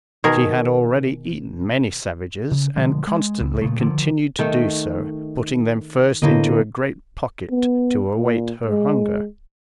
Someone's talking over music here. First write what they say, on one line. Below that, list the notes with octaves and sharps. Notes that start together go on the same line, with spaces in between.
She had already eaten many savages and constantly continued to do so, putting them first into a great pocket to await her hunger.
B2 D#3 G#4 A#4
C#3
B2 D3 F3 G#3
G#3
C#2
A#2 C#3 A3
D3 D#3 F3
D#3 A3
A2 D3 A#3 B3 D#5
B3
A#2
G#3